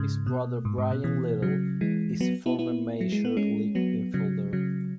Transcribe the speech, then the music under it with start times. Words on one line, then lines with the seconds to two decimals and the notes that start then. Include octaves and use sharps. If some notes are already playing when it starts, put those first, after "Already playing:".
His brother Bryan Little is a former major league infielder.
Already playing: G#2 C#3
0.26 B2
0.65 G#2
0.78 G#2
0.91 B2
1.04 B2 E3
1.42 C#3 F#3
1.81 E3 G#3
2.20 F#3 B3
2.46 B3 E4
2.59 B3 E4
3.01 F#3
3.12 G#3
3.25 B3
3.37 G#3 C#4
3.75 F#3 B3
4.14 C#3 F#3
4.53 C#3 F#3